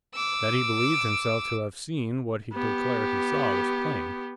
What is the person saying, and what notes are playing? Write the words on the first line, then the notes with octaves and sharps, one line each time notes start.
That he believed himself to have seen what he declared he saw was plain.
D6 E6
B3 G4